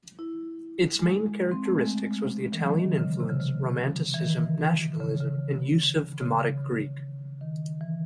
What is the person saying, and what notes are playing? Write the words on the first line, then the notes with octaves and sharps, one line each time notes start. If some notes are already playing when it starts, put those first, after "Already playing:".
Its main characteristics was the Italian influence, romanticism, nationalism and use of Demotic Greek.
E4
G#3
C4
A3
G#3
E3
F#3
D#3
C#3
C3
C#3
C#3
E3
D#3
C#3
C#3
C#3
C#3
D#3
E3